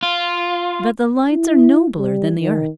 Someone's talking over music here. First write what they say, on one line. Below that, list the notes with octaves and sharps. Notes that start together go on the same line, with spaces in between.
But the lights are nobler than the earth.
F4
E4
G3
D#3